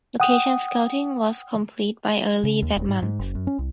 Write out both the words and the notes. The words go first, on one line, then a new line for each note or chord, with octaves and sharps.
Location scouting was complete by early that month.
F#5 G5 D#6
C#3
D#2
D#1
G#2
G#2
F#1
F#2
C#4
C2